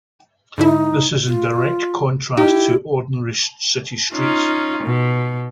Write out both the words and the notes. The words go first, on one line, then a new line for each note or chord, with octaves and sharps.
This is in direct contrast to ordinary city streets.
G#2 D3 D#4 E4
F4
D#4 E4 G4
C#4 D#4 F4
B2